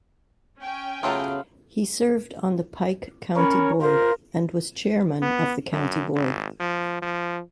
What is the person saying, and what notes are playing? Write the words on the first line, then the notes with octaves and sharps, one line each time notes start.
He served on the Pike County Board and was chairman of the county board.
C#4 G5 G#5
C#3 F#3 A3 B3 F4
C#4 A#4 C#5 B5
F4 A#4 C5
B3
F#2
G#1
F3
F3